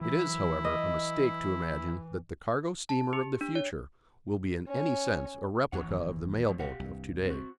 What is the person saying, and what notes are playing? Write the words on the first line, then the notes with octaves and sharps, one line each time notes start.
It is, however, a mistake to imagine that the cargo steamer of the future will be in any sense a replica of the mail-boat of to-day.
E3 F#3 E4
D#5
A5
G4
D4
C#5
C#4
E2 E3 C#4 C#5 F#5
F#1 D#2 A#2
F3 A3
B2 G4 F5 F#5
C2 G2
C4 F#4